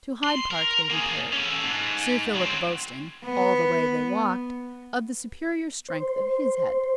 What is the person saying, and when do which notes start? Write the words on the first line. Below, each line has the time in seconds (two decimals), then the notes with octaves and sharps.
To Hyde-park they repaired; Sir Philip boasting, all the way they walked, of the superior strength of his head.
0.24 C6
0.51 A#4
0.90 A#3 G#4
1.33 C#4 A4
1.64 G#2
2.35 F#3 C4
3.26 B3
5.89 C5